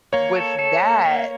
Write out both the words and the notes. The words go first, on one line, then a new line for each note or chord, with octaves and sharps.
with that,
A#3 C#5
A4
A4
A#3
A#3